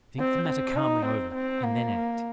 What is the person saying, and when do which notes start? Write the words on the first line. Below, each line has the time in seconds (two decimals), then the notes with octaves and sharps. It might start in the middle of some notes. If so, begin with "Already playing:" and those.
Think the matter calmly over, and then act.
0.19 C4
0.48 C4
0.76 D#4
1.05 C4
1.34 C4
1.63 A#3